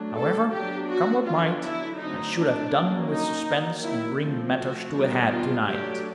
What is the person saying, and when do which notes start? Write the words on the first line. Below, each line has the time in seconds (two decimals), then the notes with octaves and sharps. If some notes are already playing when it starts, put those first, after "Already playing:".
However, come what might, I should have done with suspense and bring matters to a head to-night.
Already playing: F#3 A3 D4
0.17 A4
0.52 F#3 B3 D4 G4
0.89 F#4
1.26 D3 F#3 B3 D4 F4
1.63 E4
1.99 D3 F#3 A3 C4 D#4
2.36 D4
2.73 F#3 A#3 C#4
3.10 D#4
3.46 D#3 F#3 A#3
3.83 E4
4.19 F3 A3 C4
4.56 F#4
4.93 D#3 G3 B3 D4
5.29 F4
5.65 F#3 A3 D4 G4